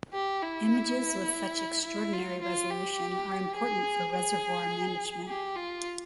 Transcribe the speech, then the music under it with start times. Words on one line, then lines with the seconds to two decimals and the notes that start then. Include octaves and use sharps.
Images with such extraordinary resolution are important for reservoir management.
0.13 G4
0.42 E4
1.85 E4
2.13 F4
2.42 F4
2.70 G4
3.56 G#4
4.13 G#4
5.28 G4
5.56 F4